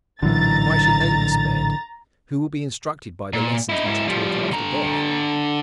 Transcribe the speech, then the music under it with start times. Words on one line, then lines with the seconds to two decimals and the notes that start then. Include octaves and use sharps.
Why should they be spared? Who will be instructed by the lessons which are taught after death?
0.22 A#1 A2 D3 E3 F#3 A#5 A6
3.33 A#2
3.69 D#4 E4
3.85 G#2 E4
4.08 F3 G3
4.52 D3 A#5